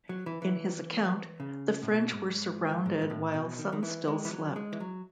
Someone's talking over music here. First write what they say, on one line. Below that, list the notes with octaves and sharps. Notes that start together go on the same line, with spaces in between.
In his account, the French were surrounded while some still slept.
F#3
E3
E3
C#3
A2
B2
G#2
G#2
G#2
A2
B2
D#3
D#3
E3
G#3
E3
F#3
G#3
E3
F#3